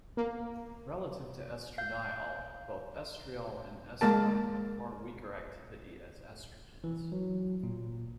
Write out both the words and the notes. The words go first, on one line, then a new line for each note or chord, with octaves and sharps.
Relative to estradiol, both estriol and estrone have far weaker activity as estrogens.
A#3
F5 G6
G#3 A#3 A#4 A5
E3
F#3
A#2